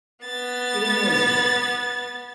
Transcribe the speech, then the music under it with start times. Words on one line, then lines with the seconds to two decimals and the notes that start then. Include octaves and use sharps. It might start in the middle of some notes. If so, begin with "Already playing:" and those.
It annoys me a bit.
0.25 B3 A6